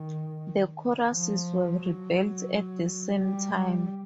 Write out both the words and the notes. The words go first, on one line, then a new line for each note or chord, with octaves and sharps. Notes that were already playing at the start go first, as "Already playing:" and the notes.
The Choirs were rebuilt at the same time.
Already playing: D#3
F3
F#3
G3